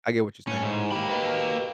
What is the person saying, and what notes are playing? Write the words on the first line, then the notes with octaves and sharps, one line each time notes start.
I get what you're saying.
A2 C#4
G#2
A#3 G4 B5
B4 D#5